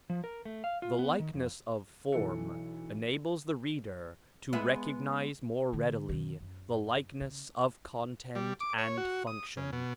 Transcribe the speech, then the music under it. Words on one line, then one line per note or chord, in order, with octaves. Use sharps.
The likeness of form enables the reader to recognize more readily the likeness of content and function.
F3
A#4
A3
F5
F4
B3
D#3
F2
B1 E3 A4 C#7
G#3 B3 E5
D3 B3
B2 D#3
F#2
C#3
G3
D6
C#5
F#4
D#6
C#3
B2